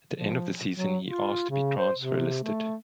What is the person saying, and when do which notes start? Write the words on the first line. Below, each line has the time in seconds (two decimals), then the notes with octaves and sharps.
At the end of the season, he asked to be transfer listed.
0.10 F3
0.74 F#3
1.04 F4
1.50 C#3
1.77 C5
1.98 C3
2.43 A3